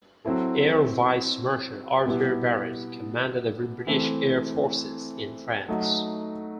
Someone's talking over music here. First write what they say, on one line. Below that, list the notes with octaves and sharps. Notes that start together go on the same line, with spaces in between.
Air Vice-Marshal Arthur Barratt commanded the British Air Forces in France.
F#3 C4 E4 A4
B2 G3 B3 E4 G4
E3 A3 C4 E4 A4
F#3 A3 D#4 F#4